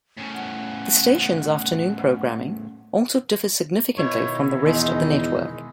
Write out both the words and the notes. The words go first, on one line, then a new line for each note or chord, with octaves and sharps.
The station's afternoon programming also differs significantly from the rest of the network.
A2 C#3
F#5
B2 D#3 D#4 E4 C#5
E2 G#3 D#4